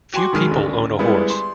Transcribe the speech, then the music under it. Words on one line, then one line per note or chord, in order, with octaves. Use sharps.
Few people own a horse.
F#4 G5 G#5 C6 D6
B2 D#3 G#3 D#6 F6
A1 D2
G3 G#3 B3 E4
C6